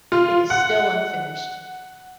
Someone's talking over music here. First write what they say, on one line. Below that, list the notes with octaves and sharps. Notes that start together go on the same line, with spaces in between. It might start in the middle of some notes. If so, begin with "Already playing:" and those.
It is still unfinished.
F4
F#5